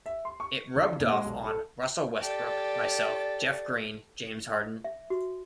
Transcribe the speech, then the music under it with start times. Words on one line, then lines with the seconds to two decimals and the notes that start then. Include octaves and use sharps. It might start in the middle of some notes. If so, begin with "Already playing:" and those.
It rubbed off on Russell Westbrook, myself, Jeff Green, James Harden.
0.06 E5
0.25 C6
0.40 C#6
0.76 D3
1.00 A#2
1.12 G#3
1.25 B1
1.44 A4
2.21 G4 A4 D5
4.84 E5
5.10 F#4